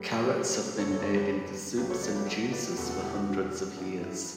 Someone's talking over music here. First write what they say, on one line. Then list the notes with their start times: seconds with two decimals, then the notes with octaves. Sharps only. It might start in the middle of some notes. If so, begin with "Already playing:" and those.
Carrots have been made into soups and juices for hundreds of years.
Already playing: G2 F#3 A3 G4 B4
0.79 F#1 E2 D3 A4 C#5
0.91 A4 C#5
0.99 D5
1.03 A4 C#5
1.16 G4 B4
1.77 C#2 C#3 F#3 G4 B4
1.90 A4 C#5
2.02 B4 D5
2.15 G4 B4
2.27 F#4 A4
2.52 B4 D5
2.64 G4 B4
2.77 E1 E2 D3 A3 F#4 A4
2.89 F#4 A4
3.01 E4 G4
3.15 F#4
3.77 G2 E3 B3
4.01 E4